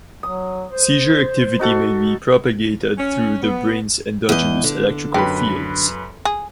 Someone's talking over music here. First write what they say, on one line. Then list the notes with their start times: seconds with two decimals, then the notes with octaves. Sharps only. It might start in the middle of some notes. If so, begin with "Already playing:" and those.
Seizure activity may be propagated through the brain's endogenous electrical fields.
0.23 F#3 D#6
0.70 C5
1.59 D#4 F#4 A4
2.98 C#4
3.43 B3
4.29 E2 D#5
4.64 D3
5.14 F#2 G4 B4 B5
6.25 G#4